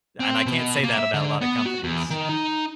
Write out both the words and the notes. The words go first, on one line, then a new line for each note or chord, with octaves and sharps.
And, I can't say that about a lotta companies.
C4
B2
A#3
E5
D3
B3
F#4
E2
D#3
D#4